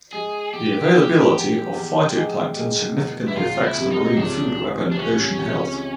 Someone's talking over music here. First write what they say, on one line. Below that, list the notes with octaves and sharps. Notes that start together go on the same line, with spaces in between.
The availability of phytoplankton significantly affects the marine food web and ocean health.
G#3 G#4
E2 G4
B2 G4
E2
E2
G#3
G#3
E2
E4
C#2 F4
E4
C3
D#4
C#2 D4
E3
D4
C#2 C#4
C#2